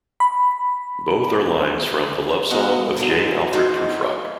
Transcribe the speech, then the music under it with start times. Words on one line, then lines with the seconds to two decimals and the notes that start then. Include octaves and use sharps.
Both are lines from "The Love Song of J. Alfred Prufrock".
0.20 B5
2.50 B3 F#4 A4 D#5 F5 F#5
2.96 G2 B2 D3 E3 F#3 G#3
3.53 G#3 D#4 F#4 A4 C5 F5